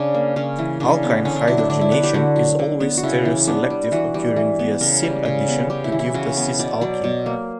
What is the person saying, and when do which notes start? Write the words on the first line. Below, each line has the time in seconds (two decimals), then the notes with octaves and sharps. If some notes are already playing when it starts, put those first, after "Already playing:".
Alkyne hydrogenation is always stereoselective, occurring via syn addition to give the cis-alkene.
Already playing: C#3 D4
0.14 A#3
0.36 C#3 C#4
0.58 E3
0.80 C#3 D4
1.03 B3
1.25 D3 C#4
1.36 D4
1.47 F#3 E4
1.58 D4
1.70 D3 D4
1.81 E4
1.92 B3 B4
2.03 G4
2.14 D3 F#4
2.36 F#3
2.59 D3
2.80 B3
2.98 F#4
3.03 C#3 E4
3.25 E3
3.47 B3 D4
3.70 G3
3.92 E3 F#4
4.14 G3
4.36 E3
4.59 B3
4.81 C#3 A#4
5.03 G3
5.25 C#3
5.48 B3
5.70 C#3 G4
5.84 E4
5.92 E3
5.99 E4
6.14 C#3 F#4
6.37 B3
6.59 B2 D5
6.81 F#3 D5
7.04 B2
7.26 A#3